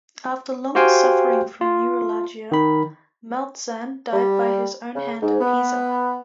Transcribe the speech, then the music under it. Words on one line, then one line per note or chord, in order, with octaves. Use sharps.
After long suffering from neuralgia, Maltzan died by his own hand at Pisa.
F#4 G4 C5 F5 G5 G#5
F4
D#3 B5
G3
C#3
G#2
B3